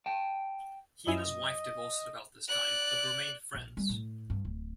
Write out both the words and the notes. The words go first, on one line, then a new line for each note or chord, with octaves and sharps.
He and his wife divorced at about this time but remained friends.
G5 A5
F#2 E4 D#5 G#5
D5 F#6
A#1
G3
A2
G2
D1